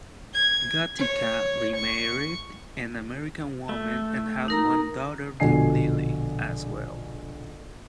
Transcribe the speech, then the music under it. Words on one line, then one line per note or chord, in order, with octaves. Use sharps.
Gatica remarried an American woman and had one daughter named Lily, as well.
G#6
C#5
C#6
A3
D#4 A#4 A#5
A#1 B2 D3 D4 G#5 C7